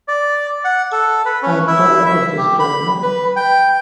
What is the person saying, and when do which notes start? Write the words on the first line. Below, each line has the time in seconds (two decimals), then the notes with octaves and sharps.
I'm tired of this, grandma!
0.08 D5
0.65 F#5
0.92 A4
1.26 B4
1.43 C#4
1.67 E4
2.06 E5
2.38 G4
2.59 B5
3.03 B4
3.36 G5